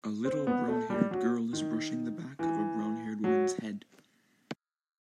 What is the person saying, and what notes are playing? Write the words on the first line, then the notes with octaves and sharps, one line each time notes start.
A little brownhaired girl is brushing the back of a brownhaired woman 's head.
C4
B3
A3
G3
F#3
D#3
E3
F#3